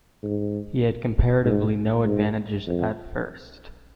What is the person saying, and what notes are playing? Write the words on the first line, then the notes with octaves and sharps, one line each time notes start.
He had comparatively no advantages at first.
G#2
G#2
G#2
F2